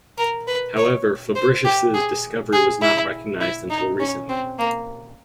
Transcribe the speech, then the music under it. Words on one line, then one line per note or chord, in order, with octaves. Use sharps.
However, Fabricius' discovery was not recognized until recently.
A#4
B4
C#5
C5
G4
G#4
G#4
E4
E4
D#4
C#4
C4
A#3